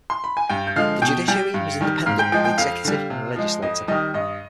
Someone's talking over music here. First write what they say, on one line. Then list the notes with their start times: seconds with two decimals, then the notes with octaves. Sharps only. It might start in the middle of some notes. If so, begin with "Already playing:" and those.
The Judiciary was independent of the executive and the legislature.
0.10 C6
0.24 B5
0.37 G#5
0.50 G2 G5
0.67 G6
0.76 D3 F3 G#3 F5 F6
1.02 B2 G5 G6
1.28 G3 G5 G6
1.54 G2
1.81 D#3 G3
2.06 G#2 F5 F6
2.19 G5 G6
2.32 F3 G#3 G5 G6
2.45 G5 G6
2.58 F2 F5 F6
2.85 D3 G3
3.10 C3
3.36 F3 G#3
3.62 F2 D#5 D#6
3.88 D#3 G3 D#5 D#6
4.14 G2 D#5 D#6